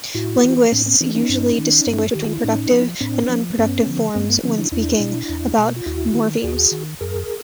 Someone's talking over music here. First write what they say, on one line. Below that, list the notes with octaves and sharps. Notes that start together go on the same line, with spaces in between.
Linguists usually distinguish between productive and unproductive forms when speaking about morphemes.
A2 E4 F#4
E3
A2 C4 D4
B3 C#4
E3 C4 D4
C#4 D#4
G2
D#3
G2
G4
D#3 F#4
F4
E4
A2 C#4 D#4
F3
A2 C4 D4
F3
G2 B3 C#4
D3 F3
G2 A#3 C4
A3 B3
D3 F3 B3 C#4
D4 E4
E2 D4 E4
B2
E2
B2
F4
D#2 E4 F#4
D#3
D#2 F#4 G#4
D#3
F#2 G#4 A#4